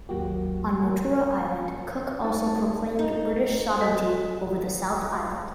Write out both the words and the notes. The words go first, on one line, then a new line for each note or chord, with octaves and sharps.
On Motuara Island, Cook also proclaimed British sovereignty over the South Island.
G#1 D#2 F#3 A#3 F#4 G4
A#3
A3 C4 D#4 A5
D#4
A4 D#5